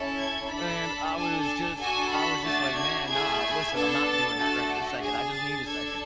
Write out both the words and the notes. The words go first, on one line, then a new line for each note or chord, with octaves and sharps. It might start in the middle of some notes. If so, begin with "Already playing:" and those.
and I was just I was just like, "Man, nah, listen, I'm not doing that right this second, I just need a second."
Already playing: C#4 E4 A4
G#6
D4 A4 B5
D4 A4 G#5
D4 F#4 A4 G#5
B5
A3 D4 F#4 A6
G#6
A3 E4 G#4 G#6
G#6
B3 D4 A4
A6
A3 D4 F#4 A4
D4 G#4 G#6
A6
D4 A4 G#6